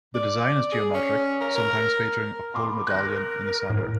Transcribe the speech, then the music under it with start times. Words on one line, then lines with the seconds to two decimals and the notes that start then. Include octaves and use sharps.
The design is geometric, sometimes featuring a pole medallion in the centre.
0.15 D5
0.72 G#4
0.94 C#4
1.41 A#4
1.55 A#4
2.54 B5 C6 D6
2.87 A#4 F#6 A#6
3.70 A2